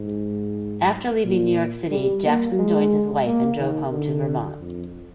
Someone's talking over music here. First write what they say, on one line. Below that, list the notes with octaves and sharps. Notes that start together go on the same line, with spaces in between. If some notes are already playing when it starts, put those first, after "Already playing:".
After leaving New York City Jackson joined his wife and drove home to Vermont.
Already playing: G#2
A#2
G3
A#3
G#3
A#3
D#3
D3
F2